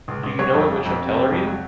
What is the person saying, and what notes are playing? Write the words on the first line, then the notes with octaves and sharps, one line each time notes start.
Do you know in which hotel are you?
C#2
C#2
F#3 C#5
F2
F2
F2
C3
C3
F2
F#3